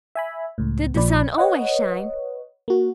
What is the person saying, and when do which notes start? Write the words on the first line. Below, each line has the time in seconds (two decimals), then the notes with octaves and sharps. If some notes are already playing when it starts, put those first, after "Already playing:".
Did the sun always shine?
0.15 E5 G#5 B5
0.58 C#2 A2
0.95 A#1 A#2 F3 D5 B5
1.38 B4 C#5 D#5 F#5
2.68 A#3 F#4